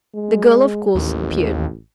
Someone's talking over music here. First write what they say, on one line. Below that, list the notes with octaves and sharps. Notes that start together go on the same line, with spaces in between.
The girl of course appeared.
G#3
A1 D#2